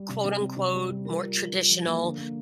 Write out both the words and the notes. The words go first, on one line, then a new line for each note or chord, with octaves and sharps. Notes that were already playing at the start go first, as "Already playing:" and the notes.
quote, unquote, more traditional,
Already playing: G3
C3
C3
C4
C3
G3
G3
A#4
F4
F4
F4
F3
A#3
D3
A#3